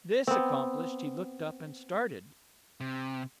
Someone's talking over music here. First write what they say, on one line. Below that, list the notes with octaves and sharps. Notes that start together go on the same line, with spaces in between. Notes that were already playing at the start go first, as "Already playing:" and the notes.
This accomplished, he looked up and started.
B3 C4
C3